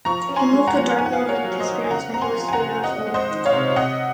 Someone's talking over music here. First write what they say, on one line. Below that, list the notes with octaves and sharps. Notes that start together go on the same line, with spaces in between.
He moved to Dartmoor with his parents when he was three years old.
F3 A#5 C#6
C#4
G#5 C6
G#3
F#5 A#5
F3
D#4 G#5
F#5
F5 G#5
A#3
A#4 C#5
F#3
C5 D#5
D#3
G#5
C#3 F#5 A#5
C4 A#5
G#5 C6
F3
G#5
F#5 A#5
C#3
C4 D#5 F#5
G#3
C5 D#5
D#3
C#5 F5
C3
C3 D#5 F#5